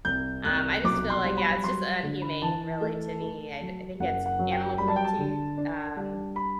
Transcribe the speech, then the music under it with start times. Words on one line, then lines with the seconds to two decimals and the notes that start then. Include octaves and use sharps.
Um, I just feel like yeah, it's just inhumane, really, to me, I d I think it's animal cruelty, um
0.05 C2 G6
0.45 C2 F#6
0.84 B1 D6
1.10 C6
1.24 G3
1.37 B5
1.64 F#3 C6
2.03 D3
2.22 B5
2.42 E3 A5
2.81 A3
3.21 A3
3.61 F#3
4.00 F#1 F#5
4.26 F#5
4.39 F#3
4.52 G5
4.78 G3 B5
4.88 A5
4.96 G5
5.05 A5
5.18 D3
5.57 D4
5.97 G3
6.36 B5